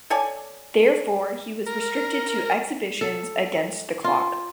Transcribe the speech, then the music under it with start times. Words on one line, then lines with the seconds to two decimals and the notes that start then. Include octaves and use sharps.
Therefore he was restricted to exhibitions against the clock.
0.10 A4 C#5 D5 G#5
1.66 A#4
3.01 A4
4.04 F4